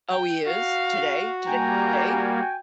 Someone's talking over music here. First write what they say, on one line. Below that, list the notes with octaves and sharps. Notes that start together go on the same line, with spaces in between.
Oh, he is? Today? Today today?
G5
F#4 F5
G3 A#3 G5 G#5 A#5